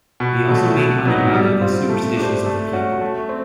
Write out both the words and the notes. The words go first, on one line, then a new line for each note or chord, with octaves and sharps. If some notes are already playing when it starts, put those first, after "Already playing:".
He also made money out of the superstitions of the people.
B2
F#3 A3
B2
F#3 B3 D#4
G3
C4 F4
A3
D4 G4 C5
A3
C#4 F#4
A3
C4